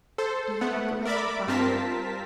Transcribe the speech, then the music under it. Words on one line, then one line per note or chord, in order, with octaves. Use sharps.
"Do you recollect your father?"
A4 C5
A3 B3 F#5
A#4 D5 E5 B5 D6
G2 C4 F4 A#4 A5 B6